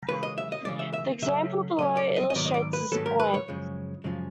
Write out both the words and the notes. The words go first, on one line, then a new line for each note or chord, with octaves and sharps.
The example below illustrates this point.
C#3 E3 G#3 B4
D#5
E5
D#5
C#3 E3 G#3 D5
E5
E5
C#3 F#3 A3 C#4 E5
C#3 F#3 A3 C#4 D#5
D5
D#5
D#5
G#2 D#3 F#3 B3 D5
D#5
D5
B4
G#2 D#3 F#3 B3 A4
A#4
B4
C#5
F#2 C#3 F3 G#3
F#2 C#3 F3 G#3